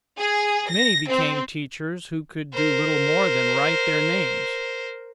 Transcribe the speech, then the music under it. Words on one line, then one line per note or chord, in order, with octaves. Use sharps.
Many became teachers who could do little more than write their names.
G#4
A#6
C4
A#4 C5